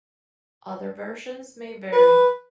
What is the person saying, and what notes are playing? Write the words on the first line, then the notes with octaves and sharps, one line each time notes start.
Other versions may vary.
B4